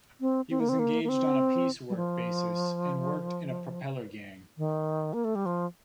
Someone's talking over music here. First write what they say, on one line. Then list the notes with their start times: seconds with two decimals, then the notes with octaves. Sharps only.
He was engaged on a piece work basis, and worked in a propeller gang.
0.21 C4
0.50 C4
0.60 A#3
0.69 C4
0.79 A#3
1.04 A#3
1.09 C4
1.90 G3
1.96 F3
4.58 D#3
5.13 A#3
5.25 A3
5.35 G3
5.46 F3